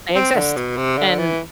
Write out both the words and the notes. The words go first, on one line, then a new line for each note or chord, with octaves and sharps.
they exist, and
C4
D3
B2
C3
D3
E3